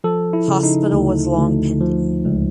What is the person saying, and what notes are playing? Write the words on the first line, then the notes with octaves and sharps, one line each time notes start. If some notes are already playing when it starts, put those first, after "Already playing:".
Hospital was long pending.
F3 A4
E4
C#3
D#4
D2
D2
F3
C#2